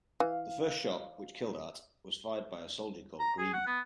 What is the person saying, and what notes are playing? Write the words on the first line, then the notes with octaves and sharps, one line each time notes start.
The first shot, which killed Art, was fired by a soldier called Green.
E3 F5
A#5
G#4
F#5
B3